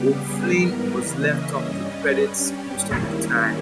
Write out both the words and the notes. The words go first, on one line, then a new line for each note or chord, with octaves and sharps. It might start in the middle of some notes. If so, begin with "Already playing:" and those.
O'Flynn was left off the credits most of the time.
Already playing: C#3 G3 B3 G4
G#4
G#2 E3 G3 B3 A#4
B4
C#3 E3 A#3 C#4 D#5
E5
G2 G3 C#4 D#5
B4
G2 G3 C#4
G4
G#2 D#3 G3 A#3 C#4 E4
E4